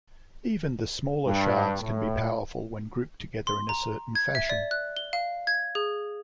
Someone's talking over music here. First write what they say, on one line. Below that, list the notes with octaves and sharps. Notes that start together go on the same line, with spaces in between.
Even the smaller shards can be powerful when grouped together in a certain fashion.
G2
A2
C6
A#5
G#6
E5
D5
F#6
G7
F5
G#6
G#4